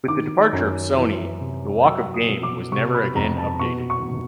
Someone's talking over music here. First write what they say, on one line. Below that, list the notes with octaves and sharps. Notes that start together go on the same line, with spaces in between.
With the departure of Sony, the Walk of Game was never again updated.
D#3 D6
F#2
E3
C3
F#3 E6
D#6
B2
D6
C3 C#6
B5
F2 A#5
A5
B2 C#6
C#6